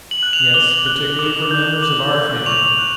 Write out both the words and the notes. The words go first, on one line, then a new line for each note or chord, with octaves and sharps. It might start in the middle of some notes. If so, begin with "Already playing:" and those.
"Yes. Particularly for members of our family."
F#7
F#6
F7
D6 G7
F#6
D6
G6
D6 F#7
G6
C#6 F7
F#6